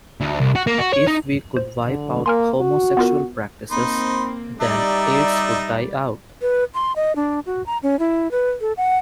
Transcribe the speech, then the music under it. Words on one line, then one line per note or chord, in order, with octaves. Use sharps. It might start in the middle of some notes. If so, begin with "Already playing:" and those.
If we could wipe out homosexual practices, then Aids would die out.
D2
C2
F#4
A#3
F#4
C#5
D#4
C5
D3
A#3 A#4 G#5 C6
F#4
B3 F4 A#4
A#3 C4 D#4 B5 C6
G3 D#4 G4 D5 E5 A#5
B4
C6
D#5
D4
F#4
A#5
C#4
E4
B4
A4
F#5